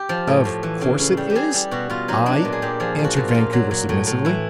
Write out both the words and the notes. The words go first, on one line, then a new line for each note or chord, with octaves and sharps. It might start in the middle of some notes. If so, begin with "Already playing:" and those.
"Of course it is I," answered Vancouver, submissively.
Already playing: G4
F3
A2
A2
E3
C#3
C#3
G3
G4
G3 G#4
G3 G4
B2 F#4
B2 F4
F#3 D#4
F#3 D4
A#2
G#4
A#2 G4
F3 G#4
F3
F#4
A#2
F4
A#2
F#3
F#3
A2
A2
E3 E4